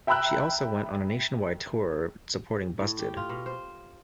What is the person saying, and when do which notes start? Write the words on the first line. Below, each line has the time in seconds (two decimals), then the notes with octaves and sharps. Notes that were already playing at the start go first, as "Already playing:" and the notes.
She also went on a nationwide tour supporting Busted.
0.07 E5 G5 A#5 B5 E6 F#6
2.80 A2
2.99 G4
3.17 F4
3.29 B2
3.46 C5